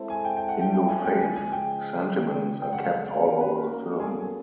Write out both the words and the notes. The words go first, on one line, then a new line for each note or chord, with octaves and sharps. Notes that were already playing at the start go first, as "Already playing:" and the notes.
Hindu faith sentiments are kept all over the film.
Already playing: G#3 C4 E4 A4 C5
G#5
G5
G5
F#5
G5
G5
G#5
G5
C#3 F3 G#3 G#5
G#5
G5
G5
F#5
F5
F#5
A#3 C#4 F#4 F5
F5
B4
A#4
G#4
A4
G#4